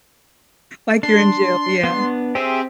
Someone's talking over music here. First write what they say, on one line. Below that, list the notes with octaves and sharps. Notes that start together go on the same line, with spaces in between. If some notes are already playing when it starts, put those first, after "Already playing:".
Like you're in jail, yeah.
D4 C6
B3 D4
C4 G4 G#4 E5